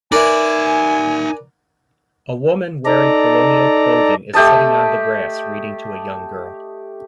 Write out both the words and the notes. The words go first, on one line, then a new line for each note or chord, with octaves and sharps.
A woman wearing colonial clothing is sitting on the grass reading to a young girl.
D#4 A#4 B4 D5 E5 G#5
D#4 A4 D5 A#5
A3 G4 D#5 A5